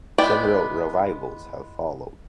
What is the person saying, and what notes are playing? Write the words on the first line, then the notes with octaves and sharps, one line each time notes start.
Several revivals have followed.
G#3 B3 E4 D5 G5